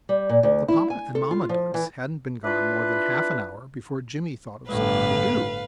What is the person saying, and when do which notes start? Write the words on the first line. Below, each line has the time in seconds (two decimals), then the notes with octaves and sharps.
The papa and mamma ducks hadn't been gone more than half an hour before Jimmie thought of something to do.
0.09 G3
0.29 A#2
0.43 D2
0.68 E4
0.90 G#5
1.15 A4
1.31 F4
1.49 F3
1.74 E3
2.44 D4 E4 F4 B4
4.69 G1 A2 B4 F5